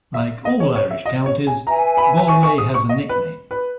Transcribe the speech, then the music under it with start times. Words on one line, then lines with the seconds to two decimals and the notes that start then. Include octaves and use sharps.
Like all Irish counties Galway has a nickname.
0.14 E5
0.45 D#5
0.60 C#5
0.76 C#5
0.91 E5
1.06 D#5
1.26 C#5
1.47 G#5
1.67 B4 E5 G#5 A#5
1.97 B5
2.28 C#6
2.43 C#6
2.58 D#6
2.74 C#6
2.89 D#5
3.09 B4
3.51 B4